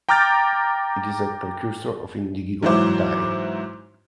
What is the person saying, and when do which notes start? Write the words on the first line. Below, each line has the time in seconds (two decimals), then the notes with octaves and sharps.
It is a precursor of indigo dye.
0.09 G5 A#5 D6 F6 G6 A6
2.63 G#2 E3 F#3 E4 C5 D6